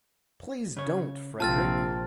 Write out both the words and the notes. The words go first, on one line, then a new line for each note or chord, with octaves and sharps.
Please don't, Frederick!
C#3 C#5
A#1 C3 C4 F4 A5 F6 A6